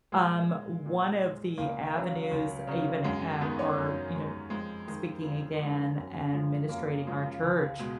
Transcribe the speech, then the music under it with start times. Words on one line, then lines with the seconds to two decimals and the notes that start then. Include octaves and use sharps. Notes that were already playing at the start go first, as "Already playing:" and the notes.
Um, one of the avenues even at our, you know, uh speaking again and administrating our church,
0.12 A#2 G#3
0.49 G#3
0.86 A#2
1.22 G#3
1.58 C#2 A#3
1.95 C#3 F#3
2.32 C#2
2.67 C#3 F#3
3.04 F#2 G#3
3.41 D#3 G#3 B3
3.59 C#4
3.78 F#2
4.15 D#3 G#3
4.50 F2 G#3
4.88 D#3 G#3
5.24 F2
5.60 D#3 G#3
5.97 F#2
6.33 C#3 F3 G#3
6.69 F#2 A#3
7.07 C#3 F3 G#3
7.42 C#2
7.79 B2 G#3